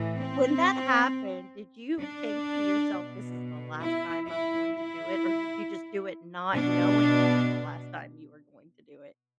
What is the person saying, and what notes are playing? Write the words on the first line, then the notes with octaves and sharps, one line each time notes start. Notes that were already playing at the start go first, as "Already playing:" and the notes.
when that happened, did you think to yourself, "This is the last time I'm going to do it," or did you just do it not knowing it was the last time you were going to do it?
Already playing: A2 E3
C4
D4
B2
E4
E4
E4
B2 D4